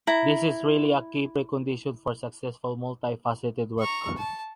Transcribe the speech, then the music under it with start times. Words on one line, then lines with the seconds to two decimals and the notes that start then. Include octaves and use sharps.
This is really a key precondition for successful multifaceted work.
0.07 E4 A#5
3.80 A#5 C#6
4.17 A5